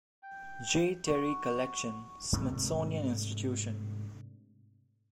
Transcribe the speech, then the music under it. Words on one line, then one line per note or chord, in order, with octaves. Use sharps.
J. Terry Collection, Smithsonian Institution.
G5
F#4
G#2 C3 A3 D4